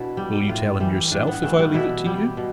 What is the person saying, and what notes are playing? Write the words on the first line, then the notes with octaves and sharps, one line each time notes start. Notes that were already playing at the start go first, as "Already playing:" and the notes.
"Will you tell him, yourself--if I leave it to you?"
Already playing: B2 D4 E4
G3
A2 F4
E3 G3
A2 D4
B3
E3 G3 A3
G3
B2 E4
G3
B2